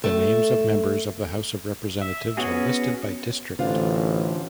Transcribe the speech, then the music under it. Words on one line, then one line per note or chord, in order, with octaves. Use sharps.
The names of members of the House of Representatives are listed by district.
A3
E5
B3 C#4 F#4 G#4
A1 D3 F4 C5